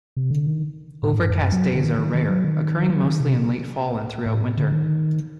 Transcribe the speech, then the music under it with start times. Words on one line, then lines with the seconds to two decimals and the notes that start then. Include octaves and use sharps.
Overcast days are rare, occurring mostly in late fall and throughout winter.
0.17 C3
0.31 D3
0.46 D#3
1.03 A2
1.07 A#2
1.13 A2
1.18 G2
1.30 F#2
1.41 G2
1.52 F#3
1.75 D3
1.83 D#3
1.98 D#3
2.14 D#3
2.29 F#3
2.44 D#3
2.90 F#3
3.05 D#3
3.20 C3
4.26 A2
4.57 D3
4.72 D#3